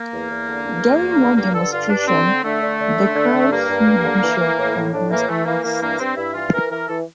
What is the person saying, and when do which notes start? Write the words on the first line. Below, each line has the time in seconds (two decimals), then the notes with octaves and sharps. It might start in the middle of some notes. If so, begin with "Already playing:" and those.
During one demonstration, the crowd freed Bishop from house arrest.
Already playing: A#3
0.12 E2
0.29 E2
0.47 D3
0.65 E2
0.83 E2
1.00 E2
1.18 D3
1.36 G2 A#3
1.53 D3 A4
1.71 G2 F4
1.89 G2 D4
2.07 D3 C4
2.26 D3
2.43 D3 A3
2.61 D3
2.79 D3
2.97 D3
3.14 D3
3.32 D3
3.50 G2 A#3
3.68 G2
3.86 G2
4.03 D3
4.21 E3
4.39 E3
4.57 A2
4.74 A2
4.92 A2 D4
5.10 E3 A#3
5.28 E3 A3
5.45 E3 A#3
5.63 E3 A#3
5.81 G2 A#3
5.99 G2 C4
6.16 G2 E4
6.34 E3 F4
6.52 E3 A#4
6.70 E3 A#4
6.88 E3 A4